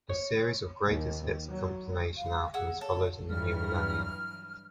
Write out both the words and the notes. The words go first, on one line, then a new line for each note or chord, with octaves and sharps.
A series of greatest-hits compilation albums followed in the new millennium.
C#5
D#2
F#3
F5
G#4 F#5 G#5 E6
A4 C#5
G2 E3 F#3 F6